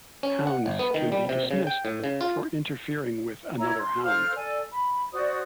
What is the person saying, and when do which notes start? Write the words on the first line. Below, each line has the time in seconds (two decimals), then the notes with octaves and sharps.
Hounds can be dismissed for interfering with another hound.
0.23 C#4
0.47 F#5
0.66 G1
0.79 B3
0.94 D#3
1.12 G3
1.29 C3
1.51 C#3
1.67 G5
1.85 A2
2.04 C#3
2.21 F4
3.58 E4 C#5 A#5
3.78 C6
4.04 A4 C5 F5 F6
4.35 A4 D5 G#5
4.72 B5
5.12 F#4 C5 D5 D#6